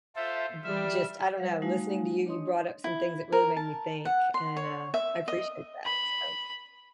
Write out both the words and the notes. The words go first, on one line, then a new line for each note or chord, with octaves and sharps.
u just, I don't know, listening to you, you brought up some things that really made me think, and, uh, I appreciate that, so,
F4 A4 C5 E5
E3 G3 E5 F6
G3 C5 F5 F#5
G3 A3 D#4 F#4 F5 G#5
D4 C#5 D#5 C6 D#6
E4
A#4
A5
F#5
C6
C#5
E5
D#5
B5